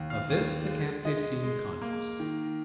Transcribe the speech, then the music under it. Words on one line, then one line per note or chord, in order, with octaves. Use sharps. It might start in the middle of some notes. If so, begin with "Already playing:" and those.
Of this the captive seemed conscious.
Already playing: D#2
F5
D#2
G#3
G#3 D#5
G#3
A#3
D#3